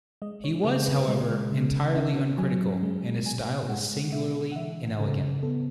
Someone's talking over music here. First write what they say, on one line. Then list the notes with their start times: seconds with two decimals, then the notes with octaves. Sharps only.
He was, however, entirely uncritical, and his style is singularly inelegant.
0.22 G#3 D#5
0.44 C#5
0.64 C#3 B4
0.86 B4
1.08 G#3
1.52 C#3
1.96 C#4 E5
2.38 F#3 G#5
2.83 G#3
3.25 B2 G#5
3.69 G#3 F#5
4.12 B2 E5
4.52 F#5
4.56 E3 E5
4.99 C#3 A4
5.43 B3 A4